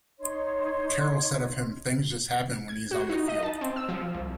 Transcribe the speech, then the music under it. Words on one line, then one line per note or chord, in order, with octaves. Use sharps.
Carroll said of him Things just happen when he's on the field.
D#4 C#5 C6
G#6
F#4
D#4
D#5
A5
C4
E6
F3
C2